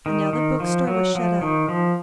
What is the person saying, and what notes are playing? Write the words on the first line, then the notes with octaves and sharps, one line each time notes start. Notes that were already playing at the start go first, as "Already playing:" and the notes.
And now the bookstore was shut up.
D#3
D#3
F3
F#3
F3
D#3
F3